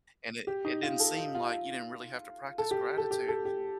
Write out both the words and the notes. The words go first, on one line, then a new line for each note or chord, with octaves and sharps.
And it it didn't seem like you didn't really have to practice gratitude
G4
D#4
F4
A4
F4
F4
A4
G4
A4
G4
A4
G4